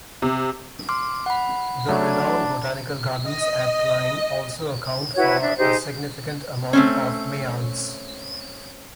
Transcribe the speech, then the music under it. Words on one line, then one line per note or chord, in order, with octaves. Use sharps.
The renowned botanical gardens at Clyne also account for a significant amount of Mayals.
C3
C6 D6 F6
F#5 B5
F#3 A3 D4
D#5
E4 F#4 B4 C#5
D4 E5
D#4 G4 G#4 C5
A3 C4 C#4